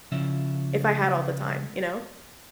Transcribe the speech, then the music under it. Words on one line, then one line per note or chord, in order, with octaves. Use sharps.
if I had all the time, you know?
C#3 F3 C#4 E4 E5